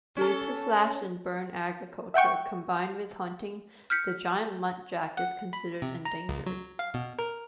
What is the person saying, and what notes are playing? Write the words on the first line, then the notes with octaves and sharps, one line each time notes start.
Due to slash-and-burn agriculture, combined with hunting, the giant muntjac is considered endangered.
C#4 A4
E5 F#5 G5 C#6
F6 G6 B6 C#7
F#5
B5
C3
A#5
C#2
F#3
F5
B2
A#4